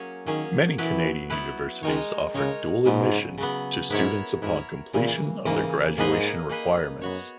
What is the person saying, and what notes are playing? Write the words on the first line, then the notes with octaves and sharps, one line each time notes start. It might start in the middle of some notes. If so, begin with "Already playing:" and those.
Many Canadian universities offer dual admission to students upon completion of their graduation requirements.
Already playing: F#3 A#3 C#4 G#4 C#5
D#3 F#3 A#3 C#4 G#4 C#5
E3 F#3 B3 E4 B4
F#3 B3 E4 B4
D#3 G#3 D#4 A#4 C#5
C#3 G#3 D#4 A#4 C#5
G#2 C#3 F#3 B3
C#3 F#3 B3
G#2 B3 E4 A#4 C#5
G#2 B3 E4 A#4 C#5
A#2 C#3 E3 A#3
G#2 C#3 E3 A#3
G#2 A#3 D#4 G#4 B4 D#5
A#3 D#4 G#4 B4 D#5
F#2 B3 F#4 C#5